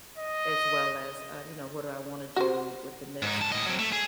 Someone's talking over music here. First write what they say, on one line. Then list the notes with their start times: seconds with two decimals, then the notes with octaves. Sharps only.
as well as, uh, you know, what do I wanna do with the next,
0.18 D#5
2.36 F#4 C5
3.22 G#2 D#4
3.41 G#2 A5
3.52 A2 D#5
3.66 F#3 C4
3.79 A3
3.92 G#4